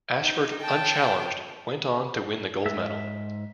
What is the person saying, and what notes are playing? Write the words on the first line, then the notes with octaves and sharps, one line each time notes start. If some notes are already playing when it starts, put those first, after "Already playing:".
Ashford, unchallenged, went on to win the gold medal.
D#4
G5 A5
G#2 E5